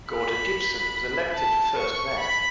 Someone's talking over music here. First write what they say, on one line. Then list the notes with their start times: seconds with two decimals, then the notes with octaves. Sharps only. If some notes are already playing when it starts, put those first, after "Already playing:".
Gordon Gibson was elected the first mayor.
0.11 B5
1.35 A5
1.78 C#6
2.19 B5